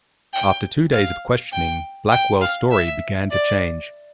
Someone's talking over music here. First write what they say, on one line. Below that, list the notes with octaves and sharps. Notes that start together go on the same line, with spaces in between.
After two days of questioning, Blackwell's story began to change.
G5
F5
G5
G5
F5
E5
D5